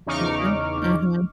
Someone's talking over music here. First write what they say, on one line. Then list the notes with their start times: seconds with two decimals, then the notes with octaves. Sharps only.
Mhm. Mhm.
0.06 E2 C#3 D#4 C#6 D6 F6